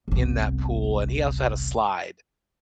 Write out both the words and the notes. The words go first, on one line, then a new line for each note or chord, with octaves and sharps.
in that pool, and he also had a slide.
G1 C2